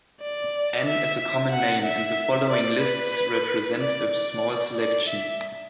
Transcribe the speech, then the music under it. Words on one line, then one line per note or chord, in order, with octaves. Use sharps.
Anne is a common name and the following lists represent a small selection.
D5
E5
E5
F#5
E5
D5
B4
D5
D5
D5
E5